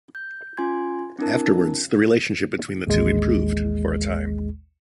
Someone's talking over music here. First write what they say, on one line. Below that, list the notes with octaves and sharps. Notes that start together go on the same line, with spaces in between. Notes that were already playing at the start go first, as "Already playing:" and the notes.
Afterwards, the relationship between the two improved for a time.
G6
C#4 F4 G#5 C6 G#6
C4 D4 E4 A#4 A5
A1 D#2 G#3